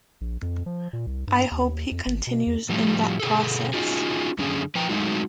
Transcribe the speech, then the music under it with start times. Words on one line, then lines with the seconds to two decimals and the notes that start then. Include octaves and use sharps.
I hope he continues in that process.
0.21 A#1
0.42 F2
0.66 F3
0.93 A#2
1.07 C2
1.27 G2
1.51 D#2
1.91 F2
2.06 G#1
2.27 B2
2.46 E2
2.69 A2 F3 G3 A3
3.20 B2 G#4 A4
3.74 C#4 D#4 F4 F#4 G#4
4.39 F#2 D3 C#4 G#4
4.75 F3 B4 G5 A#5
4.89 F#3 G#3 A3 D#4 F#4